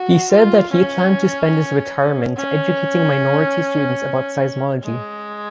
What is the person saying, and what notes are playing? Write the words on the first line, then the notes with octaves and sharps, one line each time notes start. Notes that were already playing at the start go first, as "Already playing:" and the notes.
He said that he planned to spend his retirement educating minority students about seismology.
Already playing: F#4
F4
C#4
C#4
G#3